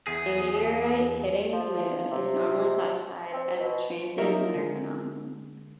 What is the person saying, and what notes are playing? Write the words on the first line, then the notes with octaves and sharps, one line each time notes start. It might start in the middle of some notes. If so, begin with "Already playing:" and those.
A meteorite hitting the Moon is normally classified as a transient lunar phenomenon.
E2 G#4
F3
C3
C4
B2
F#3 A#3 D#4 A#4 E5
D3 G#3